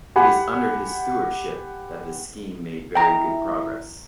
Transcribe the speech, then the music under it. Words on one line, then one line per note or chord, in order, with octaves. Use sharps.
It is under his stewardship that this scheme made very good progress.
G4 F#5 G#5 B5
E4 G5 A#5